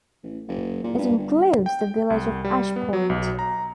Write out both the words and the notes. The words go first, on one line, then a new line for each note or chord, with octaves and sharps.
It includes the village of Ash Point.
A1
F#1
A#2
G2
G1
G5
C2
G3
B3
F#3
B1
A#5